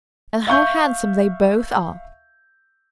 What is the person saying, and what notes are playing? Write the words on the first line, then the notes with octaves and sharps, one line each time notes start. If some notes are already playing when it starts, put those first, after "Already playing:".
"And how handsome they both are!"
E5 F5 C#6 G6